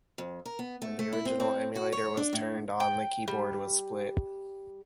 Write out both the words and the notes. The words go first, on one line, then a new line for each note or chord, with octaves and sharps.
When the original Emulator was turned on the keyboard was split.
F2
A#4
B3
A3
A3
E4
C4
C4
F#4
C#5
D4
A2
G5
G3